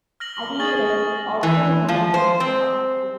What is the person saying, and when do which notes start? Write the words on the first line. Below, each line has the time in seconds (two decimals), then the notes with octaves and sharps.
Adidas is also the manufacturer of the kit.
0.20 F6 A#6 F#7
0.59 G#4 C#6 A6 F#7
1.43 E3
1.88 F3
2.14 C5
2.40 C4